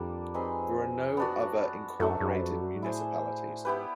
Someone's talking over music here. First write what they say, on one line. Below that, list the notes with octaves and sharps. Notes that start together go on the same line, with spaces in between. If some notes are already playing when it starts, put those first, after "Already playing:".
There are no other incorporated municipalities.
Already playing: F2 G3 A#3 D4
C4 D#4 G#4 B4
B3 D4 F#4
F#2 F#3 A3 D4
F#2
F2
F#2
G#2
A2 E4 G#4 C5
G#2 B3 E4 G4 B4